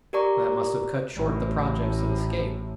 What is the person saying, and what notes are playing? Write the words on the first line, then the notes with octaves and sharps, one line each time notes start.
"That must have cut short the projects of escape."
G4 A#4 D5 A#5 C#6
A1 A2